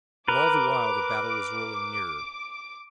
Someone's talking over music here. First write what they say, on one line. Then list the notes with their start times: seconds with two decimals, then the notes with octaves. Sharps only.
But all the while the battle was rolling nearer.
0.28 A#4 B4 D6